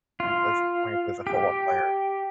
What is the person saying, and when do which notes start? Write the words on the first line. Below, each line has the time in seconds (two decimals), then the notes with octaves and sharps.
When he plays when he plays a football player.
0.20 F4
1.27 G4